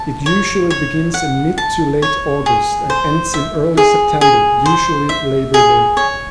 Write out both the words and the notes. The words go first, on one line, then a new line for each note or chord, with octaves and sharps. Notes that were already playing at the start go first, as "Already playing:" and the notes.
It usually begins in mid-to-late August, and ends in early September, usually Labour Day.
Already playing: A5
C#5
C#5
F#5
A5
C#5
G#4
C5
E5
G#4
G#4
C5
E5
G#4
C#5